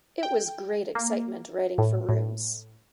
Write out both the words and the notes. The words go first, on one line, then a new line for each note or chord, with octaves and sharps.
It was great excitement writing for rooms.
G5
A#3
A2
A2